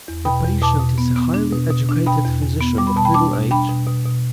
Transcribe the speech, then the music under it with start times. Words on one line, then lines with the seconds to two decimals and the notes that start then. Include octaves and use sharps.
The patient is a highly educated physician of middle age.
0.08 E2
0.25 B2 G5 B5
0.44 E2
0.62 B2 A5 D6
0.80 B2
0.98 B3
1.16 B3
1.34 D4
1.53 B2
1.70 B2
1.89 D4
2.06 B2 G5 B5
2.25 E2
2.42 E2
2.61 B3
2.78 G3 D6
2.87 B5
2.96 B2 A5
3.05 G5 B5
3.14 D4 A5 D6
3.33 B2
3.51 D4 G5 B5
3.70 B2
3.87 B2
4.05 B2